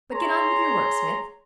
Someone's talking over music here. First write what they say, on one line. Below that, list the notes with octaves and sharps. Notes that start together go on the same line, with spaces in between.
But get on with your work, Smith.
G#4 C#5 A#5 C6